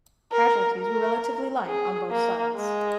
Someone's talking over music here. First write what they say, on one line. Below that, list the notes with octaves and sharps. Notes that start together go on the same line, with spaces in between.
Casualties were relatively light on both sides.
A#4
A#4
G#4
A#3
G#3